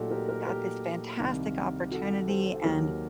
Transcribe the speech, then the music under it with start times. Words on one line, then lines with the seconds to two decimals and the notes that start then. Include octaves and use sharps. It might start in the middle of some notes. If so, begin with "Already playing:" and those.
got this fantastic opportunity and
Already playing: A#2 F#3 A3 D#4 F#4 G4 A4
0.11 G4 A#4
0.29 G4 A#4
0.47 G4 A#4
1.19 C2 C3 D#3
1.91 F#4 A4
2.27 A4 C5
2.64 D#2 D#3 F#3 G4 A#4